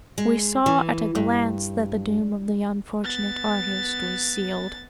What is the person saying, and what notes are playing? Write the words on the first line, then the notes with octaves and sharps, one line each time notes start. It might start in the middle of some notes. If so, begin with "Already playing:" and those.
We saw at a glance that the doom of the unfortunate artist was sealed.
G#3
E3
G2
B3 A6